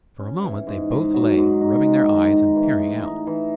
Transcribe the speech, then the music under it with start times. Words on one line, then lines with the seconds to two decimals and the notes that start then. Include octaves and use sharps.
For a moment they both lay rubbing their eyes and peering out.
0.19 C#4
0.43 E3
0.67 G#2
0.91 G#2
1.14 F#3
1.37 G#2
1.61 D#4
1.85 G#3
2.09 D#3
2.32 D#4
2.56 E3
2.79 A2
3.04 D#4
3.27 E3